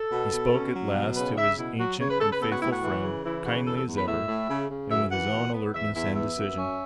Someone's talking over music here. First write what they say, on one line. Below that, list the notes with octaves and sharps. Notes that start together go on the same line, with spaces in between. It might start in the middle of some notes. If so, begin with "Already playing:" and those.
He spoke at last to his ancient and faithful friend, kindly as ever, and with his own alertness and decision.
Already playing: A4
B2
B2
C#4
F#3
B2
C#3 B4
C#3 E5
B2 E4
F#3 F#4
C#3 C#5
B4
C#3 A4
B4
B3 A4
F#4
A2 E4
F#4
E3
C#3
E3 E4
C#3 F#4
E2 A4
A4
E2
B4
A2 E5
A2
C#3
C#3
F#2 E5
E3 F#5
B2
B3
E2 E5
E2 E5
B3 E5
F#2
C#4